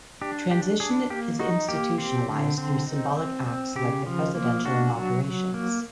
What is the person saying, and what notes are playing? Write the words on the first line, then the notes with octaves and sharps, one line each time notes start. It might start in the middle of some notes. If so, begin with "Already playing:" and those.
The transition is institutionalized through symbolic acts like the presidential inaugurations.
D4 G4
D4 G4
D4 G#4
A#3 G4
D#4 F#4
A#3 G4
C4
D3
C4
D#4
C4
C4
C#3 G4
F3
A#3
D4 F#4
F#3
F#3
A#3